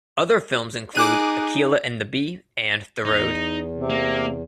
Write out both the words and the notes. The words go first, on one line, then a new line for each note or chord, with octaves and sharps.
Other films include "Akeelah and the Bee" and "The Road".
D#4 G#4 D6 F#6 D#7
E2 D#4
C3
A#3